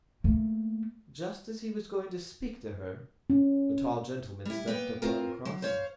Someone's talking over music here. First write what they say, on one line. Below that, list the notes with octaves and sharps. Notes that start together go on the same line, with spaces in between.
Just as he was going to speak to her, a tall gentleman stepped upon the crossing.
A3 A#3
C#4
G3 E4
A#3 B3 G5
C4 F4 A#4
F#3
C5 C#5 F5